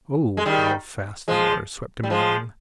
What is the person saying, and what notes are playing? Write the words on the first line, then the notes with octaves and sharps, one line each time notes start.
Oh, how fast the water swept him along!
G#3
D#3 G3
F3 G#3
G3
F3 G#3